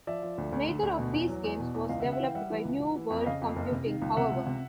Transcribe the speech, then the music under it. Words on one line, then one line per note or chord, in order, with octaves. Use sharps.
Neither of these games was developed by New World Computing, however.
F3 D5 E5
F3
D2
D2
D2
D2
B2
E2
F#3
E2
B2
E2
C#2 D#5 F5
E5 F#5
C#3
E5 F#5
E3 F5 G5
G3 E5 F#5
E3
C#2
E3
E3
F2
C#3 D#5 F5
F2
F#1
C3
D#3
C#2
C3 E5 F#5
C#2
C3